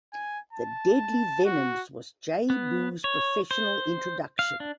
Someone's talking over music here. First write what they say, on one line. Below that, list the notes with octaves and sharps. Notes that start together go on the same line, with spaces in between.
The Deadly Venoms was J-Boo's professional introduction.
G#5
A5
F#4
B3
C#5
C5
F5
D4